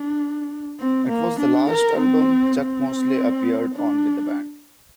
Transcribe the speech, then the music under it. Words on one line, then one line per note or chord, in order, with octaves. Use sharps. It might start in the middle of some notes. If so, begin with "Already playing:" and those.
It was the last album Chuck Mosley appeared on with the band.
Already playing: D4
C4
A#3
D4
A#4
C4
C4
D4